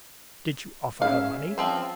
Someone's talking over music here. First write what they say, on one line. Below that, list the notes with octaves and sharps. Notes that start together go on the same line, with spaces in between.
"Did you offer her money?"
G#3 C#4 E5 F5
F3 C4 C5